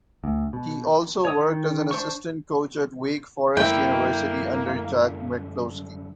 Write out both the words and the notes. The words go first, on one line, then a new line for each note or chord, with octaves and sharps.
He also worked as an assistant coach at Wake Forest University under Jack McCloskey.
D2
B2
C#5 D#6
D#3
D4 C5 C#6
F#2 D3 A#3 E4 G5